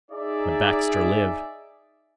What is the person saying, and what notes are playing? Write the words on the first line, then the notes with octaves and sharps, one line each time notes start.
But Baxter lived.
D#4 G#4 D5 E5